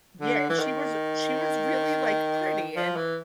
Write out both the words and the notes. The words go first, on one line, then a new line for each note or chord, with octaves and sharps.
Yeah, and she was a she was really, like, pretty and
D3
E3
D#3
F3
E3